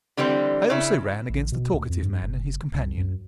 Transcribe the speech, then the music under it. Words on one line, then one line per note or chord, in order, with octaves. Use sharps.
I also ran against the talkative man and his companion.
D3 E3 G3 C4
C#3 E4
A1
B2
D2
F2
G2
F#1
C2
F#2